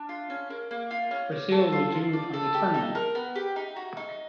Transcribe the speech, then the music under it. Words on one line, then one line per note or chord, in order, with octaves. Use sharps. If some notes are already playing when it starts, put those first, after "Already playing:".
Brazil withdrew from the tournament.
Already playing: D4
F4
C#4
A#3
A#3
F4
C#4
D5
A4
F4
F4
D5
A4
G4
D#4
A#4
B3
G4
D#4
F#4
D#4